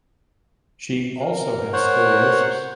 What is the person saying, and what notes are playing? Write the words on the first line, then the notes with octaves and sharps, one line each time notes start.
She also has scoliosis.
A#4
C5 C#5 F#5